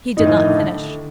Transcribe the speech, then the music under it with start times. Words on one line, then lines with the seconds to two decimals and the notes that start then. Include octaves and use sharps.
He did not finish.
0.17 A2 D#3 A3 D#4
0.27 F3
0.36 D#3
0.46 D3